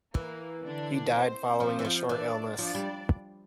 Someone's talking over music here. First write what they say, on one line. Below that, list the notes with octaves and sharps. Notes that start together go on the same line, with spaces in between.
He died following a short illness.
E3 A#3
D3 D4
C4 C5
F3
E3
F3
E3 D4 D5
F3 D4 D5
G3